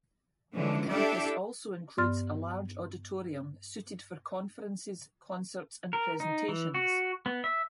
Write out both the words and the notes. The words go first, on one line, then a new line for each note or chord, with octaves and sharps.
The campus also includes a large auditorium suited for conferences, concerts and presentations.
D3 E3 F3 G#3 C#4 D4
D4 E4 G4 A4 D5 E5
G2 B3 D5 C6 F6 A6
A#4
D#4
E3
F#4
B3
E5